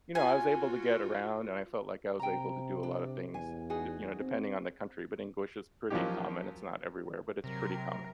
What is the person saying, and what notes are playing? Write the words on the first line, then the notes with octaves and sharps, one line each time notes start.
you know, I was able to get around, and I felt like I was able to do a lot of things, y you know, depending on the country, but English is pretty common- it's not everywhere, but it's pretty common.
F4 F#4 G#5
C3 G5 A#5
D4
E2 G#5
D#4 F#4 G#4
C4
F3 F#3 A#3 C#4 D#4 G4
C3 F#3 A#4